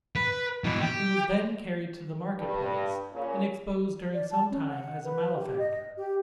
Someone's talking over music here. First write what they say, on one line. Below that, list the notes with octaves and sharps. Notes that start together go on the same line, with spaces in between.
He was then carried to the market place, and exposed during some time as a malefactor.
B4
B2 E3
G4
G2
A#2 C#3 C#4
D5
A5
C#4
F#5
B4
G4
D#5
D#5
G4